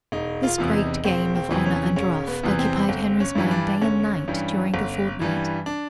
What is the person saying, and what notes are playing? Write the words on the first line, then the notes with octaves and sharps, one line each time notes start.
This great game of "honor and ruff" occupied Henry's mind day and night during a fortnight.
E1 D#4
F4
E2 C3 E3
D#4
E1 C4
C4
E2 C3 E3
C#4
E1 C#4
B3
E2 C3 E3
C4
G1 C4
C#4
G2 E3 G3
D4
G1 C#4
G2 E3 G3
G1
G2 E3 G3
D4